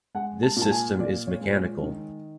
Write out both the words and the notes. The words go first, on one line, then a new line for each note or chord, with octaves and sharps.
This system is mechanical.
G#3 F#5
A5
A#2
A5
G#5
A#2 D5
C#5
G#3 C5
C#5
D#3